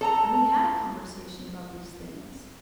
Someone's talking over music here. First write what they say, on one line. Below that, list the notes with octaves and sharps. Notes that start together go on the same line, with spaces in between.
And we had a conversation about these things,
A4 A5 A#5